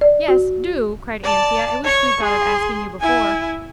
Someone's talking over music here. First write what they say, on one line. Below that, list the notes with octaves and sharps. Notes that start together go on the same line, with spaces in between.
'Yes--DO,' cried Anthea, 'I wish we'd thought of asking you before.'
D5
F#4
D5 A5
C#5 C#6
G#4 C6
E4 G#5